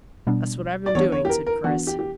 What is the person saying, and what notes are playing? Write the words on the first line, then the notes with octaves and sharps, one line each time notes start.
"That's what I've been doing," said Chris.
B2 G3 B3 D4
D5
E3 B3 D4 C#5
C#5
G4
A#4
A#4
E3 B3 D4 F#4
G4
G4